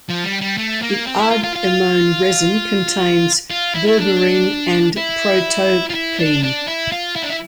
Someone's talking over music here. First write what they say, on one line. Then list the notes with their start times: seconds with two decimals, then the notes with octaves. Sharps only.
This argemone resin contains berberine and protopine.
0.09 F3
0.24 G3
0.41 G3
0.58 A3
0.82 A#3
1.06 C4
1.19 E4
1.30 F4
1.43 F4
1.56 F4
3.51 F4
3.75 E4
3.87 E4
3.98 D4
4.97 E4
5.90 F4
5.94 E4
6.19 D4
6.43 D4
6.67 E4
6.92 F4
7.16 E4
7.23 D4
7.30 E4